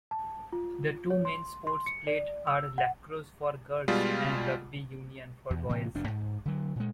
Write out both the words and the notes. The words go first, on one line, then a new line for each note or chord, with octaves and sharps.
The two main sports played are lacrosse for girls and rugby union for boys.
A5
F4
C#5
C6
C6
C#7
D5
E6
F#5
B2 G3 G#3 F4
E2
A2 C3 E3 A#3
F1 F#2 D4
G#2
D3 F#3
A#2 G#3